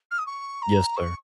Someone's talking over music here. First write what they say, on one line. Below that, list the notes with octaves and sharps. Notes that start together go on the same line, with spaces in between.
Yes, sir.
F6
D#6
C#6
A#5
C#6